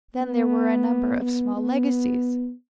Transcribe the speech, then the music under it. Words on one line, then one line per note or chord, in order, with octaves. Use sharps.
Then there were a number of small legacies.
B3
B3
B3